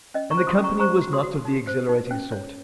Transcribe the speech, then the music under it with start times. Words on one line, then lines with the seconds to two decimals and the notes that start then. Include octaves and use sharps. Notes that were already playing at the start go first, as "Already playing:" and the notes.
And the company was not of the exhilarating sort.
0.14 C#4 D#5
0.31 A#5 C#6
0.37 C5
0.47 C6 D#6
0.58 C#4
0.64 A#5 C#6
0.80 C5 A#5 C#6
1.01 F#4
1.13 C6 D#6
1.23 F#4
1.45 D#4
1.67 C5
1.89 D#4
2.11 C#4
2.32 C#5